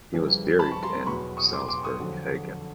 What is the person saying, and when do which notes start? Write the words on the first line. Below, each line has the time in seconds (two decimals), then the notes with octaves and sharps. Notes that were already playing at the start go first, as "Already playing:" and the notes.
He was buried in Salzburg Aigen.
0.14 F2 C#3 E3 G3
0.59 A5 B5
0.71 C#6
0.83 A#5 C6
1.06 E2 B2 F#3 B5 C#6
1.37 C#6 D#6
1.53 C6 D6
1.69 C6 D6
1.83 C#6 D#6
1.99 F2 D3 F#3